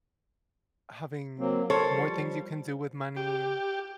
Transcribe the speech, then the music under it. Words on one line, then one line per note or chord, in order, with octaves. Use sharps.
having more things you can do with money,
F#3 A#3 C4
A4 A#4 C5 C#5
F3 G3
G4